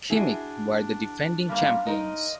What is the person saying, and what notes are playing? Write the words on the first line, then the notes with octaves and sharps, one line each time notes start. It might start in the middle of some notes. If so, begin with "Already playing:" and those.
Khimik were the defending champions.
D4 E4 F#4 G#4
G3 A#3 F5 C6
D#4 A#4 D#5